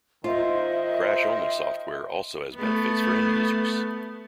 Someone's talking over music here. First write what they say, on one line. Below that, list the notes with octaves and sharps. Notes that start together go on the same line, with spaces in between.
Crash-only software also has benefits for end-users.
D#3 F4 A#4 C5 D#5 E5
A3 B3